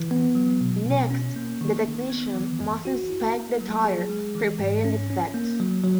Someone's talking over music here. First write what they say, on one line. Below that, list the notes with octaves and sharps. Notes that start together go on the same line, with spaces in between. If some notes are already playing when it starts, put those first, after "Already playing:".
Next, the technician must inspect the tire, repairing defects.
Already playing: E3
B3
F#3
B2
B2
C#4
A#3
D#3
D#3
B3
E3
F#2
F#4
E4
A#3
F#3
G#4
G#3
E3
G#2
C#4
C#4
A#3
F#3
F#3